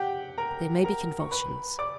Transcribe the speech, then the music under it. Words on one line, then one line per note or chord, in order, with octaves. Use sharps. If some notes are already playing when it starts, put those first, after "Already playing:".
There may be convulsions.
Already playing: G4 F#5 G5
A#4 A#5
A#4 A#5
C#6
B4 B5
D5 D6